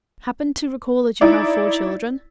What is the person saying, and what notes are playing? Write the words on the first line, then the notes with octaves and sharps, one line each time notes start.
Happened to recall that you have four children.
D#4 E4 D5